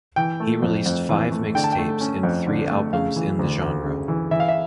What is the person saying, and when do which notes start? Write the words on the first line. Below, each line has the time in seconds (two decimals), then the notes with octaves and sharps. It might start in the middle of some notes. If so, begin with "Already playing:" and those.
He released five mixtapes and three albums in the genre.
0.16 E3 G5
0.40 A3
0.63 F2
0.86 F2
1.09 E3
1.31 A3
1.55 D3 G5
1.64 A5
1.72 G5
1.78 A3
2.01 C#4
2.23 F2
2.47 D3
2.70 A3
2.93 C#3 F5
3.16 E3
3.39 D2
3.62 D2
3.85 C#3
4.08 E3
4.31 E3 E5
4.40 F5
4.48 E5